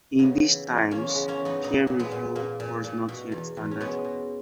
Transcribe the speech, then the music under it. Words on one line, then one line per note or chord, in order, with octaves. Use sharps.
In these times, peer-review was not yet standard.
C#3 B3 D#4
E3
E2
E2 A#3 C#4
G#3 B3
C#3
A#3 C#4
E3
B3 D#4
A#2 B3 D#4
A#2
G#3 B3
A#2
A#2 A#3
A#2
A#2
B2
E2
E2
C#4
B2 G#3 B3
B2